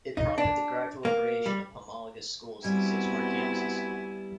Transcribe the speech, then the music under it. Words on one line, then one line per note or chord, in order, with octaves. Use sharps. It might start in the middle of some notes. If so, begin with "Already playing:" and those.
It prompted the gradual creation of homologous schools in six more campuses.
D#4
D4
A#3
G3
G3 B3 C4 E4 F#4 G#5